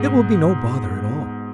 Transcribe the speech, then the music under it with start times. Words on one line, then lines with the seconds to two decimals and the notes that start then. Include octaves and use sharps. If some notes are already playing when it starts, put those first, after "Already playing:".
"It will be no bother at all."
Already playing: G#2 B2